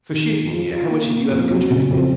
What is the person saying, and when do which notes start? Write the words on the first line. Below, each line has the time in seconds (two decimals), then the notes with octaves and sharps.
"For shooting here, how much have you ever contributed?"
0.11 D#3
0.31 G#4
0.51 F3
0.71 F4
0.90 A#3
1.11 A#3
1.30 F2
1.50 F#3
1.70 C#3
1.91 F2